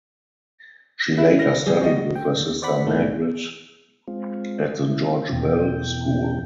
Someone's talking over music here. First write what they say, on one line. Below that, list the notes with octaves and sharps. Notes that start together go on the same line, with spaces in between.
She later studied with her sister Margaret at the George Bell School.
E4 E5
F6 A#6
G3 G#4
F#4 D#5
G5
D#2
C5 D5 F#5 B5
C2 A2 C3 D#3 A3
G#3 C4 F4
E4
E2 B2 E3 G5